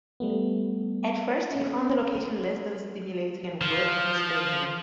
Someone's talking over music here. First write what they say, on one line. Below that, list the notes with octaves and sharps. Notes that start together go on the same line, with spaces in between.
At first, he found the location less than stimulating and work constraining.
G3 A3 B3
C4 C#4
F3